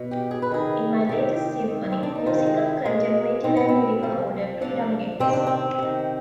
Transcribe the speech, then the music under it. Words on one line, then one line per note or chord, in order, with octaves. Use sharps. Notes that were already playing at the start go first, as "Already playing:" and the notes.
In my latest symphony, music of a contemplative and lyrical order predominates.
Already playing: B2
G4
G#4
B4
C3 D#3 G#4
C3 D#3 G4
C3 D#3
C4
D4
D#4
C3 D#3 F4
G#3
B2 G#3
B2 C4
B3
C4
C3 F3
C3 F3 D4
C3 D#3 C4
D4
C4
C3 D#3